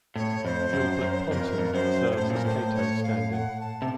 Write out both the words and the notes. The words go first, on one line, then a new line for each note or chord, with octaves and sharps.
Gilbert Ponton serves as Cato's stand in.
A2 C#5
F2 C5
F#2
F#2
F2 A#4
F2
F#2 C5
C#5
A2 C5
A#2 A#4
A2 C5
C#5
F5
F#5
A5
C3